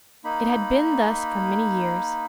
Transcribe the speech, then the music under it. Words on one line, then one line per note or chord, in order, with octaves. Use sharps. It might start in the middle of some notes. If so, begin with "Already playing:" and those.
It had been thus for many years.
A#3 D#4 B5